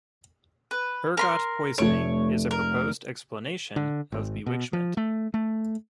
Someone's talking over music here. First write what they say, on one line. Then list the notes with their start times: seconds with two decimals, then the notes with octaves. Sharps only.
Ergot poisoning is a proposed explanation of bewitchment.
0.71 B4
1.17 A#4 B5 C6
1.78 F1 A3 C#5 D7
2.51 A#4
3.76 D3
4.12 G#1
4.46 B2
4.73 F3
4.97 A3
5.34 A3